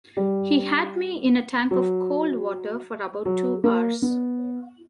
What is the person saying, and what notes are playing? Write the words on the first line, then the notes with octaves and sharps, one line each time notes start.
He had me in a tank of cold water for about two hours.
G3
F#3
F#3
A#3
B3